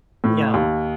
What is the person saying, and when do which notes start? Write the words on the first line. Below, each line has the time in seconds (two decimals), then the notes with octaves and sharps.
you know?
0.24 A2
0.54 D#2